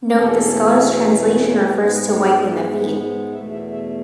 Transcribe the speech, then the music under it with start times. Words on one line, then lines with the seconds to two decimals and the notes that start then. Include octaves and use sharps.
Note this scholars translation refers to wiping the feet.
0.12 E2 B2 A3 C#4 A4
1.73 G#2 G#3 B3 B4
1.93 B4
2.13 C#5
3.33 E2 B2 A3 E5
3.53 E5
3.73 E5